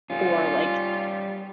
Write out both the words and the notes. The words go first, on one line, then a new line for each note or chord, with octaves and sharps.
or like
G3 C#4 F4